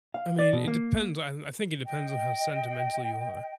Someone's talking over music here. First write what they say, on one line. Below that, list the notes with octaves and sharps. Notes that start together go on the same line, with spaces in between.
I mean, it depends. I I think it depends on how sentimental you are
F5
D5
B2
A#3
D#5 G5